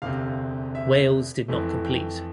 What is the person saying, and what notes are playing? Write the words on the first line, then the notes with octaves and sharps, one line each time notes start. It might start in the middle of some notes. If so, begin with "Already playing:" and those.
Wales did not complete.
E1 D2 C3 F5
E5
F2 E3 A3
G5